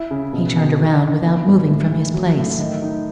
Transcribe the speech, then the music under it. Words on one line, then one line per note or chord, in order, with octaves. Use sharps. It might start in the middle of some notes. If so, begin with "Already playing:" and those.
He turned around without moving from his place.
Already playing: E4
C#3
B2
B2
D#3
D#3
B3
G#2
A2
E3
F#3
A2
D#3
D#4